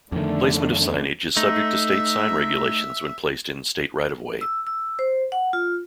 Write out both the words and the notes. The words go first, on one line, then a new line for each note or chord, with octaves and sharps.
Placement of signage is subject to State sign regulations when placed in State right-of-way.
F2 D3 D#3 A3
A3 D#4 E5
E6
E6
C5
F#5
F4